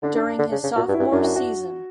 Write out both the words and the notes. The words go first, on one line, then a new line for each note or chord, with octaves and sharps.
During his sophomore season.
D3 D4
D4
D3
C#3
C#3
A#2 F#4
G2
E4
G2
F#2 D4
F#4
F#4